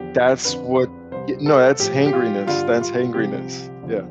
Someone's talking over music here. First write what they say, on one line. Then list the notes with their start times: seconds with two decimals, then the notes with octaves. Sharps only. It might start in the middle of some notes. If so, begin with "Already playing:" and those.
That's what y no, that's hangryness, that's hangryness. Yeah.
Already playing: E2 D3 F3 G4
0.45 F2 D3 F3 B4
1.12 C2 C3 G3 C5
1.46 A4
1.79 A2 F3 G4
2.06 G4
2.13 F4
2.46 G2 D3 G3 F4
2.81 F4
3.14 C2 C3 F3 G4
3.82 E2 D3 F3